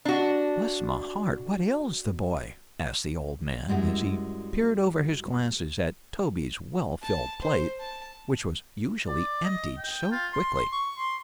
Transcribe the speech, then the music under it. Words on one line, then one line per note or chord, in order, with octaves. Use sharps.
"Bless my heart! what ails the boy?" asked the old man, as he peered over his glasses at Toby's well-filled plate, which was usually emptied so quickly.
D4 F#4
F#2 G3 G#3 E4 F#4
A5
C5
A5
D5
D#5
G5
F4
C6
C6
C#6
C6